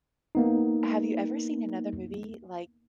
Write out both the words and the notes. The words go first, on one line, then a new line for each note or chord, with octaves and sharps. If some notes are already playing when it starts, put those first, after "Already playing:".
have you ever seen another movie like
A#3 B3 D#4